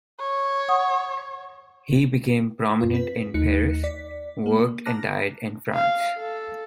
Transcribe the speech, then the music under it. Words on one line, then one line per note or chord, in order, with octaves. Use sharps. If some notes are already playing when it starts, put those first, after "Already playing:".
He became prominent in Paris, worked and died in France.
C#5
F#5 D#6
F#2 F4
C4 B4 B6
D#2 A3 D#4 F#6 C#7
D5 B6
A#3
A5 A#5 D6 F6 F#6 A#6
F5
A4